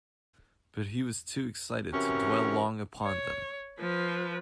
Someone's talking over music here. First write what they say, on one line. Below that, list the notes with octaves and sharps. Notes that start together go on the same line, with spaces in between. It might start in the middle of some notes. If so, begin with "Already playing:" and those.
But he was too excited to dwell long upon them.
C3 E3 C#4 F#4 A#4
C#5
F3 B4